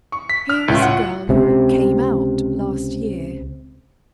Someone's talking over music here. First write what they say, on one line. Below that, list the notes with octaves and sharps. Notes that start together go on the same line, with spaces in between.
Here is a girl who "came out" last year.
C#6
B6
F6
C#2 A2 F4
F#5
C#2 C3